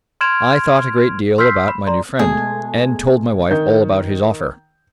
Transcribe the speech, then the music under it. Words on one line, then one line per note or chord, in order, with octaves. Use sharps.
I thought a great deal about my new friend, and told my wife all about his offer.
C6 F6 G#6 D7 E7 F7
C6 E6 F6 G6 B6 C7
B5
D5 A#5 C6
B2 G#3 A3 G#4
D#3 G6